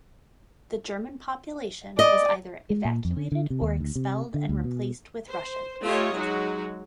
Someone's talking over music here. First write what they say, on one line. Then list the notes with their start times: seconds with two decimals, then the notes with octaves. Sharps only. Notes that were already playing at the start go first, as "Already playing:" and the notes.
The German population was either evacuated or expelled and replaced with Russians.
1.99 D5 D#5
2.70 G#3
2.85 A#2
3.05 F2
3.17 D3
3.32 D3
3.50 C3
3.61 D#2
3.80 D2
3.95 C3
4.34 D3
4.49 D2
4.64 B2
5.28 C5
5.83 A3 F4 G4 C#5 D#5
6.15 F#3 G#3 D#4 F#4